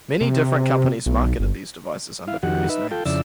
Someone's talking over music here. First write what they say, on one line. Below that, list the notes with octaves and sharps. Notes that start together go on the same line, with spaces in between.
Many different companies marketed these devices under various names.
C3
B1
G1
E4 F5
F2 D#3 F#4 G4 F#5
D#4 B4 E5
F4 A4 G5
F2 C#3 E4 D5 E6